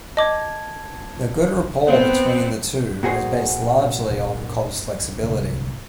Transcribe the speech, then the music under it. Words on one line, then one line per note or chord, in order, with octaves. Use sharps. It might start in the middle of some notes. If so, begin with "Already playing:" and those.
The good rapport between the two was based largely on Cobb's flexibility.
D#5 A5 D6 G#6
B3 C4 C5
A#2 F#4 G#4 C5
C2 G#2 D3